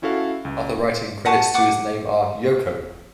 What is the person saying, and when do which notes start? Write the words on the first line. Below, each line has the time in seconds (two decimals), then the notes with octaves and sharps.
Other writing credits to his name are: Yoko!
0.02 C#4 E4 F#4 A4 F5
0.45 C#2
1.25 F#5 G#5 A5 C#6
1.54 F#5 D6